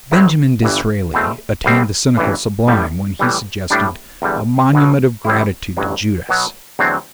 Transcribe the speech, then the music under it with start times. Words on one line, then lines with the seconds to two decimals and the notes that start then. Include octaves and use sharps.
Benjamin Disraeli attained the cynical sublime when he suggested a monument of gratitude to Judas.
0.11 A1 A2 F#3 C4 E4
0.63 G1 G2 E3
1.14 E2 B2 A3 C4
1.64 C2 B2 G3 C4
2.17 A1 G2 E3
2.67 A1 A2 G3
3.19 A2 E3 G3
3.70 A2 G3 D4
4.22 E2 D3 G3
4.73 B1 B2 F#3
5.25 A1 A2 G3 C4 E4
5.77 A1 G2 F#3
6.29 B2 F#3 B3
6.79 E2 D3 F#3 A3 C4